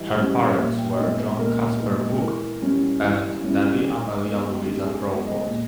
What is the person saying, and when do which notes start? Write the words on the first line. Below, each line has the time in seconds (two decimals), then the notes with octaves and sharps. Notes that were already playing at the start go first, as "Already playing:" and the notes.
Her parents were John Casper Buch and Nellie Amelia Louisa Crawford.
Already playing: E3 G3 D#5 E5
0.17 G3 C#4
0.57 A#2 E5
0.78 G5
0.94 D#5
0.98 G#3 B3 D#4 E5
1.19 B4
1.38 A#2 A#4
1.80 G#3 B3 D#4
2.20 E3 A#4
2.62 G3 C#4 E4
3.02 E3
3.43 G3 C#4 E4
3.75 G4
3.84 D#3 G#4
4.25 G#3 B3
4.65 D#3 G4
4.86 G#4
5.06 G#3 B3 B4
5.27 D#5
5.47 A#2